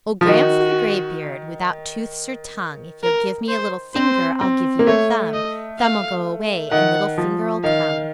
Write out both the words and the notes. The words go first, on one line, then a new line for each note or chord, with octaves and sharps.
Old Gran'f'ther Graybeard, without tooths or tongue, If you'll give me a little finger I'll give you a thumb. Thumb'll go away and little finger'll come.
F3
D#3 F#4
A#4
C5
C4 C5
C4
A#3
A3 C#5
D#5
F5
D#3 F#5
F3
D#3 F5